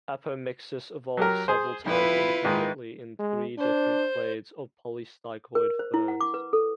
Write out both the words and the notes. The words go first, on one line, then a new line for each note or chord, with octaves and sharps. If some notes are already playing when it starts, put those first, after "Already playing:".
Apomixis evolved several times independently in three different clades of polystichoid ferns.
F#3 G4 A#4
G#4 C5
F2 E4 F4 B4
G#2 D#3
G#3
D4 C5
A#4
C5
E4
F#5
D6
B4
A4